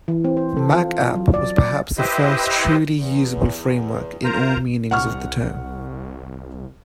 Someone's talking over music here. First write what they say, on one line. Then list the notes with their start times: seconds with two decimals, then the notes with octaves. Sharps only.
MacApp was perhaps the first truly usable framework in all meanings of the term.
0.08 E3
0.25 C4
0.37 C5
0.57 A4
0.73 F4
1.01 F4
1.15 F#3
1.34 D5
1.57 D5
1.98 E4 G4 B4 C5 D#5
2.97 E2
4.24 F4 A#4 C5 A#5
4.91 C2 F#5 C#6 F6